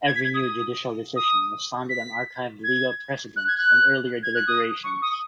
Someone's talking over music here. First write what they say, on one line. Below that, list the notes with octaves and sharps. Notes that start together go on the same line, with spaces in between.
Every new judicial decision was founded on archived legal precedents and earlier deliberations.
G#6
B6
G#6
D#6
D#6
B6
G#6
F#6
G#6
F#6
G#6
F#6
D#6
C#6
D#6